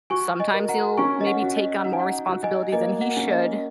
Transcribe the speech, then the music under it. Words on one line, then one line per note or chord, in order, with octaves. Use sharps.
sometimes he'll maybe take on more responsibility than he should,
F#4 G#5 C#6
D#5 G#5
A#4
F#5 A#5
C#4 G#5 C#6
D#5
F#5
F#4
D#5
D#4 F#5
G#5
F#5
F#4
D#5 G#5
A#3 D#5 G#5
F#5
C#4
D#5